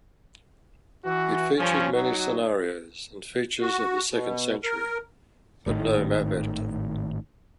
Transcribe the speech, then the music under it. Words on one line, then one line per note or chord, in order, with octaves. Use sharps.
It featured many scenarios and features of "The Second Century", but no map editor.
E3 F#4
G2 F3 C#4
F#3 D#4 F#4
F#4
B2
A#4
G#1 A2 D3 D#3